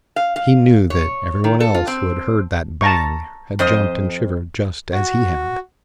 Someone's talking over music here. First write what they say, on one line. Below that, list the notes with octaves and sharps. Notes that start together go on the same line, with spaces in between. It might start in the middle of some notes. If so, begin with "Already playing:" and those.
He knew that every one else who had heard that bang had jumped and shivered just as he had.
F5
F5
C#5
D#3
A4
F4
C4
A5 A#5 C#6
F2 C5 D#5
F#4